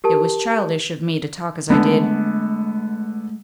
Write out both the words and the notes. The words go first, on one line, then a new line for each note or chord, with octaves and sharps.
It was childish of me to talk as I did.
G4 A#4 A5
D3 G#3 A3 B3